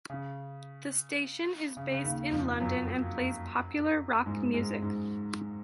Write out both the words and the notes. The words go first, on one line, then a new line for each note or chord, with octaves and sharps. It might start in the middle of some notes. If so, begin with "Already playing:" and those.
The station is based in London and plays popular rock music.
C#3
C#3
C#3
D#2 D#3
F2 F3
F#2 F#3
G#2 G#3
G#2 G#3
G#2 G#3